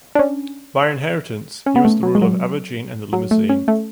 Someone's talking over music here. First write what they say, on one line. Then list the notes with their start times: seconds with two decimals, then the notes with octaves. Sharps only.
By inheritance, he was the ruler of Auvergne and the Limousin.
0.15 D4
0.19 C#4
1.66 C#4
1.76 B3
1.85 A3
2.03 F#3
2.15 G#3
2.22 F#3
3.13 F#3
3.31 A3
3.49 C#4
3.68 A3